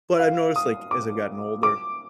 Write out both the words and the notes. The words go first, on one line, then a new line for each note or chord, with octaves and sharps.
But I've noticed, like, as I've gotten older
F5
D#6
D6
D6